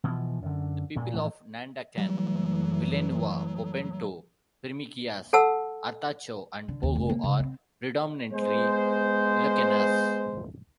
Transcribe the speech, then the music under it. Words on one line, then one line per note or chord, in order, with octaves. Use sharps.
The people of Nandacan, Villanueva, Poponto, Primicias, Artacho and Pogo are predominantly Ilocanos.
B2 E3 F3
F#2 D3
G2 A#2
A2 E3 A3
F#1 E3 F#3 G3 A3
A4 F#5 A5 E6
D3
D#2
F1
A#3
C#3
C4
G#3 B3 C5